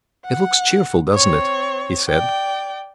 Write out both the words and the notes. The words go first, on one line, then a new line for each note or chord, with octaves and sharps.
"It looks cheerful, doesn't it?" he said.
F#5
C4 C#5
D5 G5